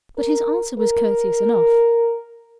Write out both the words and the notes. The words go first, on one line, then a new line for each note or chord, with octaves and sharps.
But his answer was courteous enough.
A#4
A#4